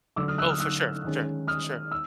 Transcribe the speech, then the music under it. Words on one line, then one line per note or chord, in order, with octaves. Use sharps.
Oh, for sure, for sure, for sure.
D3 F#3 A3 D6 E6
D#6 F6
E6 F#6
D#6 F6
E6 F#6
D#3 G#3 C#4
D#6 F6
E6